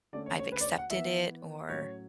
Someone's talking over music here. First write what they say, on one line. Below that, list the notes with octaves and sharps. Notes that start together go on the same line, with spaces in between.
I've accepted it, or,
D3 A3 C#4 D5
C#5
C#5
B4
D5
C#5
F#5
E3 B3 E5
A2 F#3 C#4 C#5